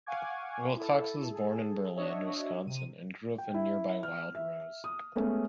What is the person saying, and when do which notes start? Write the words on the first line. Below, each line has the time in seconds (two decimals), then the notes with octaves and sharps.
Wilcox was born in Berlin, Wisconsin, and grew up in nearby Wild Rose.
0.06 F5 F#5 G#5 C#6 D6 G#6
0.77 E4 A4
1.31 G#4 A4
1.95 D4 F#4 C#5 D#5 E5
2.67 C3 D#7
3.38 G5
3.54 E4
4.03 F6
4.35 E5
4.84 D#6
5.15 G#3 A3 B3 C#4